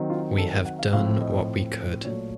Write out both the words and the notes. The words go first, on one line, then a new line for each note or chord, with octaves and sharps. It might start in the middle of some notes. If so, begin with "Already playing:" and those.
We have done what we could.
Already playing: D#3 F#3 C4
F4
A4
A#4
F#5
F5
A2 F3 C4 F5
D#5
A#2 F#3 A3 C#5